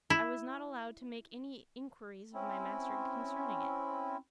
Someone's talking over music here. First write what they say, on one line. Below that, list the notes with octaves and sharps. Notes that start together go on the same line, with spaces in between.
I was not allowed to make any inquiries of my master concerning it.
E4
C4 C#4 E4